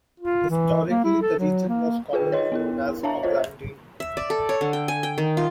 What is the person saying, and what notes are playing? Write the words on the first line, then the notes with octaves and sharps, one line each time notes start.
Historically, the region was commonly known as "Opplandene".
F4
E3
A#3
E4
A4
F#3
A#3
F4 G#4 B4 G5
C#5 D#5 C6
B3 E4 A#4
D4 C#5 E5 F5 A5 A#5
F4 C5 C#5 D#5
E5
D5
A4
C#5
D3
G5
G#5
G5
D#3
F4